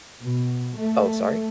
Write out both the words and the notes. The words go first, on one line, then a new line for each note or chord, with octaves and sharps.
Oh, sorry?
B2
A3